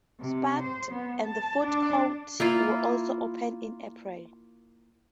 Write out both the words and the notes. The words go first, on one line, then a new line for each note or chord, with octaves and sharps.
Spiked and the food court were also opened in April.
C3
C5
B3
A5
D4
A#3 E4 F4